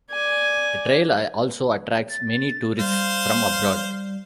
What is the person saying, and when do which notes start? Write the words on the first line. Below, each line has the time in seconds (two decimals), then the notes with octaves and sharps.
The trail also attracts many tourists from abroad.
0.11 D5 G#5
2.09 A6
2.79 G3 C5 F5